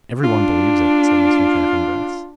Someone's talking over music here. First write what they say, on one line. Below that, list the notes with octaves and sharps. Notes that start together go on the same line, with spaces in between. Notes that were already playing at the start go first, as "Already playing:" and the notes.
"Every one believes it," said Mr. Chaffanbrass.
D4 F4